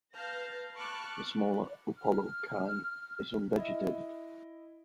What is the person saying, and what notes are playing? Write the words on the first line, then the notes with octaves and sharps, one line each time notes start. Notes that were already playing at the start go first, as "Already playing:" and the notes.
The smaller Upolu Cay is un-vegetated.
B4 F5 A5 F6 G6 A#6
A5 B5 C#6 D6 F6 F#6
F6
E4 D#5